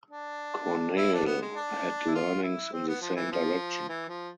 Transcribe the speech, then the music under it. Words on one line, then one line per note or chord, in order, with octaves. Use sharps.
Corneille had leanings in the same direction.
D4
E4
D4
B3
G#3
D4
E4
F4
E4
C4
B3
F3
E3
F3
E3
F3